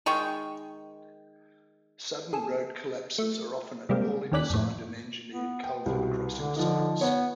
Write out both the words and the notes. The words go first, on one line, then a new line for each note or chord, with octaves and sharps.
Sudden road collapses are often at poorly designed and engineered culvert crossing sites.
D#3 G#3 G5 C#6
G#4 A4
A3
C3 G3 G#3 A#3 C4
D#2 D#3 C#4 D5 F#6 B6
F2 A2
B3
G5
C2 B2
D3
D3 F3 D#4
B3 C#5